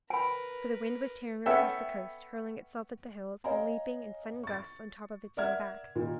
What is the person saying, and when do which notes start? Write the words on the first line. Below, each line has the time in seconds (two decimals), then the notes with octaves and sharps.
For the wind was tearing across the coast, hurling itself at the hills, and leaping, in sudden gusts, on top of its own back.
0.10 A#4 B4 G#5 B5
1.46 B3 C#4 A4 E5 F#5 G5
3.44 C#5 D#5 F5 G#5 A#5
4.44 C#6 A6
5.37 A#4 D5 E5 F#5 F6 G#6
5.96 A#2 D#3